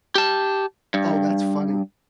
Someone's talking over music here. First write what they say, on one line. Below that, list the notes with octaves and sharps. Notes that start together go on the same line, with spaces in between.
Oh, that's funny.
G4 A5
G2